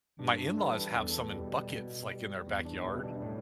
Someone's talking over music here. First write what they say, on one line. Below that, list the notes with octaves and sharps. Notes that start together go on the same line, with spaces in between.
my in-laws have some in buckets like in their backyard.
G2 D4
D4
E3 G3 A4
B4
E2 A4
B2 G3
B2
G3
E2
D4
B2 G3 E4
D4
A2